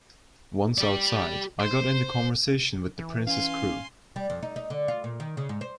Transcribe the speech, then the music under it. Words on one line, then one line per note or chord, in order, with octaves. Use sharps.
Once outside I got into conversation with the Prince's crew.
G4 D5
C5
E3
C#4 F5 G#5 C6
G3
F2
D#4
D#4
D3
F4
A#2
D#3
C#3
G#2
C5